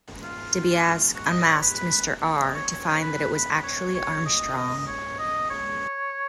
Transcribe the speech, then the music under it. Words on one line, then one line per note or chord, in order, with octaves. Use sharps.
Dibiase unmasked Mr R. to find that it was actually Armstrong.
F4
F#4
D#5
C#5
B4
B4
D#5
C#5
C#5
C#5
B4
B4
C#5
C#5
D#5
D#5
D#5
C#5
D#5
C#5